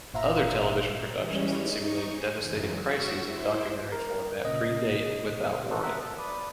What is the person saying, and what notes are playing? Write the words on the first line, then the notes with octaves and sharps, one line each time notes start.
Other television productions that simulate devastating crises in a documentary format predate "Without Warning".
G1 A#2 C5 E5 F5 A#5
E3 G3 G#3 C#4 C#5
D#4 C#6
C5 G#5
F#2 C#3 E3 F#3 G#3
F#4 C#6 E6
E4 C5
A#4
A#2 C#3 D#5
D#4 F#4 A4 C5
A#4 E5 F#5
A5
B4 D5 D#6